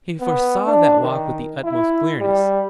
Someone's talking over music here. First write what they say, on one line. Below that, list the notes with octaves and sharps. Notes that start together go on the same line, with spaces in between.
He foresaw that walk with the utmost clearness.
B3
D4
D#3
E4
G3